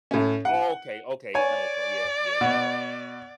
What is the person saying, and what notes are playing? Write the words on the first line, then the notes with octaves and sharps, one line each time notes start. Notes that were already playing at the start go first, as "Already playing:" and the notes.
Oh, okay, okay. Animal Cro yeah, yeah, no.
A2 C#4
F#5
C#5 D5 G#5
B2